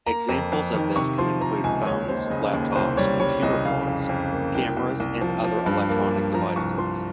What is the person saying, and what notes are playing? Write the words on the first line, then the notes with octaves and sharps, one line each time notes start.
Examples of this can include phones, laptops, computer parts, cameras and other electronic devices.
A#3 A#5
F2
F2
D#3
C3 C#6
F3 C6
F3 A#5
C#2 G#5
D#2 C#5
D#2 C5
C#3 D#5
D#2
C2 C5
G3 C#5
G3 C#5
C2 D#5
C#3 F5
F2
F2
A#3
C2 G5
C2
C2
F3
F3
G2
A#3
G2
F3 A#5
C2 C#6
F3 C6